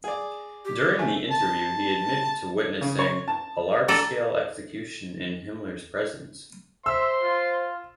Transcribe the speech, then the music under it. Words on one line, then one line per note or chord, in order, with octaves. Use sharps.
During the interview he admitted to witnessing a large-scale execution in Himmler's presence.
G#4 D5
G4
A3 G#5
A5
C#3
C#5
A5
A4 D5 A#5
C5 E5 C6 E6
F4